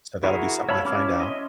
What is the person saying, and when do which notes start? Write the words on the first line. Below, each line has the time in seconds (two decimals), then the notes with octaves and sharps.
So, that'll be something I find out.
0.24 E4 F#4 G#4 A#4
0.69 C#5 E5 F5 A5 B5
0.85 C#4 E4 C#5 D6 F6
1.20 D#5 E5 C6